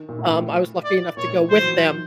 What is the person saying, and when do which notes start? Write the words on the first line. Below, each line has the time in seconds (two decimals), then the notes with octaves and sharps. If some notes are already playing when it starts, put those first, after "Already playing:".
um, I was lucky enough to go with them,
Already playing: D#3
0.09 A#2
0.19 A2
0.30 A2
0.41 A#2
0.84 D5
1.17 A#2 C#5
1.28 A2
1.39 A#2
1.50 E3 C5
1.61 F#3
1.72 F3
1.83 D#3